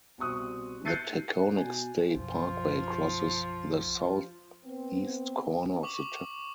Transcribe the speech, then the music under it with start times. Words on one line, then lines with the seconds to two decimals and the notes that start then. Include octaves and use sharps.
The Taconic State Parkway crosses the southeast corner of the town.
0.18 C2 B2 C4 C#6 D#6 F#6
0.85 F#6 G6 A6 C7 C#7 D#7
1.57 B2 G#5
2.16 B1 F#2 F3
4.63 B3 C4
5.83 C#6 D6 F#7